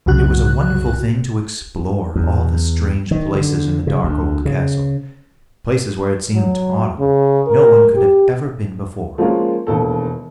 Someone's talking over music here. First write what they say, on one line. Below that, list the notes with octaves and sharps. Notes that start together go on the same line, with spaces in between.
And it was a wonderful thing to explore all the strange places in the dark old castle; places where it seemed to Otto no one could have ever been before.
C2 F#2 C#3 F#4 F#6
E2
D#3
D3
C#3
D2
C#3
F#3
C#3
A#4
G4
F3 G#3 A#3 C#4 F4 A#4
E1 D#2 A4